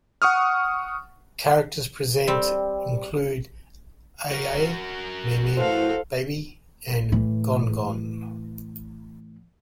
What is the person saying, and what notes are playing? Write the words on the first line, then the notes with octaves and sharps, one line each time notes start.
Characters present include AiAi, MeeMee, Baby, and GonGon.
F#5 C#6 D#6 F6
G3 C4
F#4 A#4
E3 A3 A4 C5 F5
A2 E3